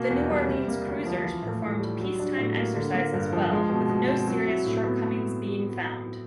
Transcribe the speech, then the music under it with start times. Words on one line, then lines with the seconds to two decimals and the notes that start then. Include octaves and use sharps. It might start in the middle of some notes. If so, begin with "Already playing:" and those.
The "New Orleans" cruisers performed peacetime exercises well with no serious shortcomings being found.
Already playing: B2 A#3
0.10 E2
0.30 G3
0.49 C3
0.68 A#3
0.87 D2
1.06 F3
1.24 E3
1.43 A2
1.62 A2
1.81 G3
2.00 F#3
2.19 D4
2.38 A2
2.57 A#3
2.75 D3
2.94 A#3
3.14 G2
3.33 F3
3.52 G#3
3.70 B2
3.89 B2
4.08 C4
4.27 F#3
4.47 E4
4.65 A2
4.84 B3